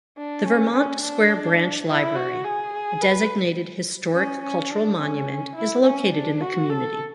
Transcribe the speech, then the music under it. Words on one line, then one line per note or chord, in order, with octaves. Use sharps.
The Vermont Square Branch library, a designated Historic-Cultural Monument, is located in the community.
D4
C#4
C#4
D4
E4
F#4
G#4
G#4
B4
C#4
C#4
D4
C#4
E4
C#4
D4
F#4
A4